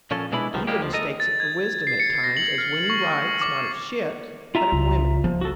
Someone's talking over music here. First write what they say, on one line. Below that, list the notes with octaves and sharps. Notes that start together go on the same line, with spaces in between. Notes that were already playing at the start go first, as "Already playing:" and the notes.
He even mistakes it for wisdom at times, as when he writes, not of ships, but of women.
A#2 F3 C#4 A4
B2 G#3 D4 E4 B5
C#2 B2 D#3 F3
G3 G#3 A#3 C4 G4
D2 F3
A4 A#4 D#5
A6
G#6
C7
C#7
A#6
F#7
F6
C#6
D6
F4 E5 A#5
C#2
F3 A#3
F#4 A4